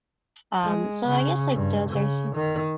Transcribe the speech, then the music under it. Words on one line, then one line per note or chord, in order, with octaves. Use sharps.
Um, so I guess, like, those are some
G#3
C#3
G2
C#3
D#3